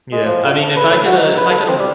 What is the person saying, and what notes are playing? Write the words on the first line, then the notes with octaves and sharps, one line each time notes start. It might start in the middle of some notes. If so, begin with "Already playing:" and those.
Yeah. I mean, if I get a if I get, uh,
G#3
F3
D3
A4
B4
A2
F#4
D#4
B4
A4
C4
G3